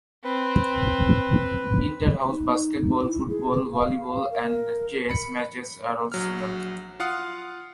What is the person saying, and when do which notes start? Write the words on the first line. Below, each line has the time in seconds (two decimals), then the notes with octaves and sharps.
Inter house basketball, football, volleyball and chess matches are also held.
0.24 C4 B4
2.30 D#4
3.03 E4
3.29 G#4
3.73 F5
4.31 A#4
5.09 B5 C#7
6.12 A#1 F#3 F6
7.00 F4 F5 F#5 D#6